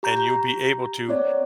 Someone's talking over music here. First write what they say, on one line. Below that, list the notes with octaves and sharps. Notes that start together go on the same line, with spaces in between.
and you'll be able to
G4 A#5 G6
C4 C#5 D5